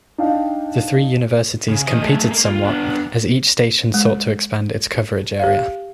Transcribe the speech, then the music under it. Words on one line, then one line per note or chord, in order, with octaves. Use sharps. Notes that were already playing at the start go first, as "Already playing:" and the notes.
The three universities competed somewhat as each station sought to expand its coverage area.
D4 D#4 D#5 F5 G5
C#3
E3 D#5
G#3 A3
A#3
F4
B3 D4
G#3
G4 F5